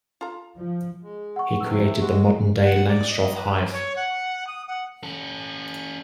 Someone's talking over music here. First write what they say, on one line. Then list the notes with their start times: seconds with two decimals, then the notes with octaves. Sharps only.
He created the modern day Langstroth hive.
0.21 F4 A4 A#5
0.57 F3
1.03 G#3
1.36 F#5 C#6
1.61 C3 E3 A3 E6
2.01 G#3 F#4
2.63 F#5
2.88 D5
3.09 D#5
3.36 B4
3.72 C#5
3.96 F#5
4.47 D#6
4.68 F#5
5.03 C#4 A4